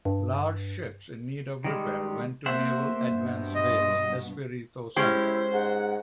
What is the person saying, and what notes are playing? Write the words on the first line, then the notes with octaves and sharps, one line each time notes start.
Large ships in need of repair went to Naval Advance Base Espiritu Santo.
G2
D#3 G3 G#3
C3 A#3 C5 E5 F#5
G2 B2 B3
D#5
G#3 C#4 E4 G4 C5
G#2 F#5